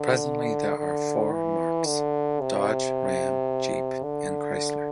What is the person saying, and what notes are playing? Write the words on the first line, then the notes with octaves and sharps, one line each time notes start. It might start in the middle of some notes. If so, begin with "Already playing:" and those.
Presently there are four marques: Dodge, Ram, Jeep, and Chrysler.
Already playing: D3
D3
E3
D3
C3
D3